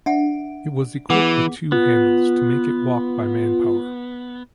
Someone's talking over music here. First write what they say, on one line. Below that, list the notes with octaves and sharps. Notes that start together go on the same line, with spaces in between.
It was equipped with two handles to make it walk by manpower.
D4 E5 F#5
E3 B3 G#4 B4 F#5 D6
B3 F4